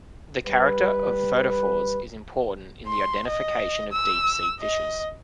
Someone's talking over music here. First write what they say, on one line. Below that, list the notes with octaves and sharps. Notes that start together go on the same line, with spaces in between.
The character of photophores is important in the identification of deep sea fishes.
G3 B4
C6
D#5
E6
D#5